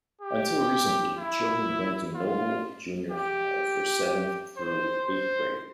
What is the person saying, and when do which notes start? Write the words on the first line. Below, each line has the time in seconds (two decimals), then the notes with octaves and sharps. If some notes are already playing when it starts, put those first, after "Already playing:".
Until recently, children went to Noble Junior High for seventh through eighth grade.
0.21 G4
1.19 E4
2.15 F4
3.12 G4
4.57 C5
5.06 C5